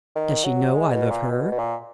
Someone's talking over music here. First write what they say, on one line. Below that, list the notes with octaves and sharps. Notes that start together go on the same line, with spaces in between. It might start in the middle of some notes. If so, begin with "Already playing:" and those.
Does she know I love her?
D#3
F#3
G#3
B2
A#2
B2
B2
A#2